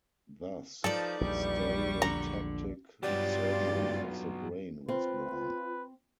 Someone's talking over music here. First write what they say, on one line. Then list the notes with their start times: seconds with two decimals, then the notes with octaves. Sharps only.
Thus, stereotactic surgery of the brain was born.
0.84 F3 D#4 A4 B4 D5
1.21 A#1 E2 G3 C#6
2.02 D3 A#5
3.03 G2 F#3 B3 F4 G4 D5
4.88 C4 F4 B4